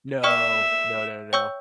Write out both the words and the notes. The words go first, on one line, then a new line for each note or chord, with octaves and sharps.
No. No, no, no.
D5 E5 G5 C#6 F6
C#5 G5 C#6 E6 G6